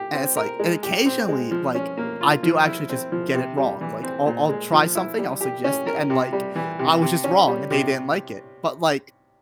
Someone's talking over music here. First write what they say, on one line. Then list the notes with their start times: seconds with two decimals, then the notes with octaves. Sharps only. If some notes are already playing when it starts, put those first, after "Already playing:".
and it's, like and occasionally, like, I do actually just get it wrong. Like, I'll I'll try something, I'll suggest it, and, like, I was just wrong, and they didn't like it, but, like
Already playing: G4
0.14 C4
0.37 A#4
0.59 G#3
0.83 G4
1.06 C4
1.29 G#3
1.51 F3
1.75 C#4
1.97 A#3
2.21 F4
2.43 F3
2.66 E4
2.89 C4
3.12 F3
3.34 C3
3.57 G3
3.81 E3
4.03 C4
4.26 A#2
4.49 G#3
4.72 F3
4.95 E4
5.18 G3
5.41 G4
5.64 C#4
5.87 A#4
6.10 C3
6.33 G3
6.56 E3
6.79 C3
7.02 C3
7.24 C#4
7.47 G3
7.71 C3